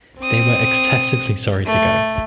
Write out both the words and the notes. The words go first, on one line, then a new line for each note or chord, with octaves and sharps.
They were excessively sorry to go!
C4 D#6
A3